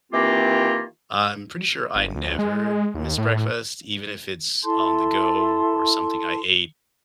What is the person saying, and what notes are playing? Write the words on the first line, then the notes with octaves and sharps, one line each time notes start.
I'm pretty sure I never miss breakfast, even if it's on the go or something I ate
D#3 E3 A#3 C4 F4 G4
G1
D2
G#3
D#2
A2
E4 A4 A5 C6